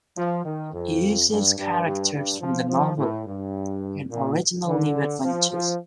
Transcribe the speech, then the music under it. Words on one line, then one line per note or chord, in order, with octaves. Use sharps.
It uses the characters from the novel in original new adventures.
F3
D#3
F2
G2
G2
G2
G2
F3
F3
A2
G2
A#2
D3
F3
F3